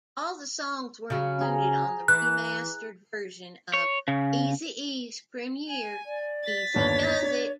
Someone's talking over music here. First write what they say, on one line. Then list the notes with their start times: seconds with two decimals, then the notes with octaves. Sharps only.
All the songs were included on the remastered version of Eazy-E's premiere, "Eazy-Duz-It".
1.10 C#3 F#3
1.41 G#4 A#5
2.08 E3 F#6
3.74 C#5
4.08 C#3
5.68 G#5
6.06 D5
6.44 A6 B6
6.74 G1 D#2 D4 C#5
7.22 D4